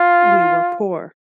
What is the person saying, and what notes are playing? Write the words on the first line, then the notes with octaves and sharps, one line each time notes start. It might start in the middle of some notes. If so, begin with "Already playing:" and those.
We were poor.
Already playing: F4